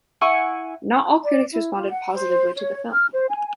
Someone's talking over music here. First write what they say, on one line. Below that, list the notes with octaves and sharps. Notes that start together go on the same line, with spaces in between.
Not all critics responded positively to the film.
E4 F#5 G#5 C#6
D5
E4
F4
F#5
C5
C#5
F6
C5
G#5